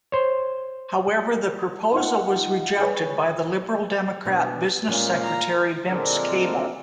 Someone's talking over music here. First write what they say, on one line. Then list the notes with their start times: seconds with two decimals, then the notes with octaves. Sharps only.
However, the proposal was rejected by the Liberal Democrat Business Secretary Vince Cable.
0.12 C5 C#5
1.93 D#4 F4 F#5
2.79 G#4 B4 C#5 B5
4.25 B2 D4
4.89 A#2 G#3 C#4 F5
5.24 A#5
5.87 A#2 D3 G#3 C4 D4 A#4